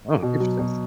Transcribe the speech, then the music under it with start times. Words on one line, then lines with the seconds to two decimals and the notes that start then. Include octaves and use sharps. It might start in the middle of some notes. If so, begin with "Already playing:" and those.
Oh, interesting.
0.23 B2
0.40 F#3
0.59 B2